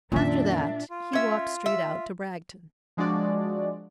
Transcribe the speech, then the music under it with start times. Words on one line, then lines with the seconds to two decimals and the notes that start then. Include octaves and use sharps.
After that he walked straight out to Bragton.
0.12 F2 A#2 D#3 A#3 C#4 D4 E4 E5
0.89 F4
1.13 C#4 E5
1.66 E5
2.97 F3 G#3 D4 F#4 D5